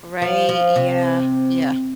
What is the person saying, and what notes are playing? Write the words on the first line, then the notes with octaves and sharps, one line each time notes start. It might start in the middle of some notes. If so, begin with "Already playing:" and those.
Right, yeah, yeah.
F3
F3
C3